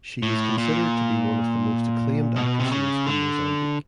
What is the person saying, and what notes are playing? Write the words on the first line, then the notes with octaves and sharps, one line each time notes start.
She is considered to be one of the most acclaimed actresses in Mozambique.
A2
A#2
B2
C3
C#3
D3